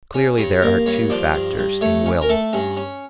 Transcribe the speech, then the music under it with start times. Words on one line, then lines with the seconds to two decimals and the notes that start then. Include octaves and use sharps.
Clearly there are two factors in will.
0.14 C#4
0.38 G2 C#5
0.62 A#3 A#4
0.86 G2 C#5
1.10 F3 D5
1.34 G2
1.58 G2
1.81 A3 C#5
2.06 C#4
2.22 A#4
2.29 A3 A4
2.53 G2 C#4
2.77 C#4